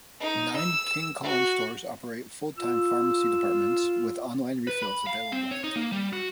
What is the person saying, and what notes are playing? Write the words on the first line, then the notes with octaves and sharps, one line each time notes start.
Nine King Kullen stores operate full-service pharmacy departments, with online refills available.
D#4
E6
F#4
F4 E6
B4
B5
F5
C4
C#5
D#4
A#3
G3
F#4